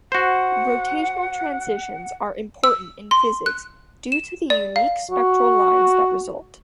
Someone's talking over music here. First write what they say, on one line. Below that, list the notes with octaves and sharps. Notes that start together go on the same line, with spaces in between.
Rotational transitions are important in physics due to the unique spectral lines that result.
F#4 C5 F#5
E6
C6
F#6
E7
D5
F5
F#4